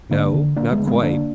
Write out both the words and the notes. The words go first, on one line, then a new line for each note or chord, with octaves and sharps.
"No; not quite."
D3 A#3 D4
D3
D3 A#3 D4
G#3 B3
D3
G#3 B3
D3 A#3 D4